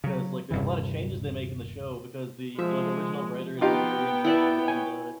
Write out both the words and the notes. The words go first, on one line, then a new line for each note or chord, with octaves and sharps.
'cause, like, there's a lot of changes they make in the show because the the, like, original writer is, like, very involved and, uh,
C#3 F#3
D#1 G2 C3 E3
F3 G#3 E5
B3 D#4 F4 G4 G5
E4 D5 E5
C#5 G#5